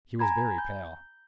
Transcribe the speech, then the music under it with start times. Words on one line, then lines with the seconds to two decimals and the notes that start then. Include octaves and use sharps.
He was very pale.
0.19 G#5 A#5 B5 G#6
0.58 G6